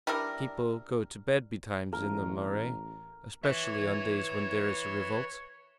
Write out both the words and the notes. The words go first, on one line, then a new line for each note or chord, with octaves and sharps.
People go to bed betimes in the Marais, especially on days when there is a revolt.
G3 D4 E4 A#4
A1 A#4
B4 C#5 E5